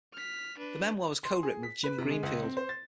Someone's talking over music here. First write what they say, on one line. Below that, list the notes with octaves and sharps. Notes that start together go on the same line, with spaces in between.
The memoir was co-written with Jim Greenfield.
F6 B6
D4 B4
C6
G#4
B6
B4
C3
G#3
C#2
C4
C5
A6